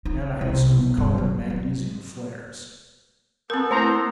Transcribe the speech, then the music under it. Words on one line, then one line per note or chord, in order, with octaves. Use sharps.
And I had some colored magnesium flares.
D#4
C2
B1
G2
F#3
F#3
B3 C4 A4 A#4
A3 A#3 E4 C5 A#5